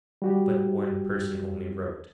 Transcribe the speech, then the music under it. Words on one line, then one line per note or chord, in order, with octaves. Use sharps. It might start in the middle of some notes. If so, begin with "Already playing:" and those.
"But one person only wrote!"
G3 F#4 G4